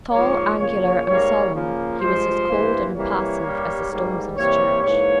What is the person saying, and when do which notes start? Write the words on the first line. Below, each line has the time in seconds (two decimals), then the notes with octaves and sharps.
Tall, angular, and solemn, he was as cold and impassive as the stones of his church.
0.11 G#2 F3 A#3 C#5
0.58 C#3 F3 A#3 C#5
1.05 G#2 G3 A#3 C#5
1.52 C#3 F3 A#3
2.00 G2 F3 G#3 C5
2.46 G2 E3 A#3
2.94 C3 E3 G3 A#3 C#5
3.41 G2 G3 A#3
3.88 G#2 G3 A#3
4.35 C3 E3 G3 A#3 C#5
4.82 G#2 E3 A#3 C#5